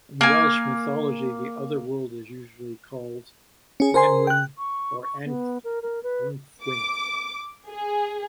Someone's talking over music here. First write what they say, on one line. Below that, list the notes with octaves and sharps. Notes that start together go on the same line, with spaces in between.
In Welsh mythology, the Otherworld is usually called "Annwn" or "Annwfn".
A#3 G#5
C#4 G#4
A#4 C5 G#5 C6
G5 F#6
C#6
C#6
B3
A#4
A#4
B4
D6
G#4